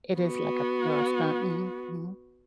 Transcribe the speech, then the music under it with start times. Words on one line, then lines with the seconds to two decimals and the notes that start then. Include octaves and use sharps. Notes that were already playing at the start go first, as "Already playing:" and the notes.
It is, like, a PR stunt. Mhm, mhm.
0.18 B3 F#4